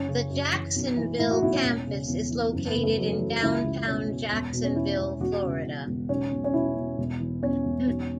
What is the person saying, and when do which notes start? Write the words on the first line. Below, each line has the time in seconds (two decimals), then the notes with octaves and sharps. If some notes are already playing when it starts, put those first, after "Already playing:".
The Jacksonville campus is located in downtown Jacksonville, Florida.
Already playing: F#1 C#4
0.08 C#3
0.30 F#2
0.53 E3
0.76 B1
0.97 E3
1.19 A2 E4
1.31 F#4
1.42 B1 E4
1.53 C#4
1.65 E1
1.87 C#3
2.08 E2
2.30 E3
2.53 F#1
2.68 B3
2.75 C#3
2.83 A3
2.98 F#2 F#3
3.13 A3
3.20 E3
3.42 C#2 E4
3.64 C#2
3.87 B2 C#4
4.09 B2
4.32 E1
4.53 B2
4.64 C#4
4.75 E2 E4
4.98 E1
5.20 E1 F#4
5.43 C#3
5.65 E2
5.87 E1
6.09 B1 C#4
6.32 B1
6.44 C#4
6.54 B2 E4
6.77 B2
6.98 E1
7.20 E3
7.43 E2 C#4
7.65 E1
7.87 B1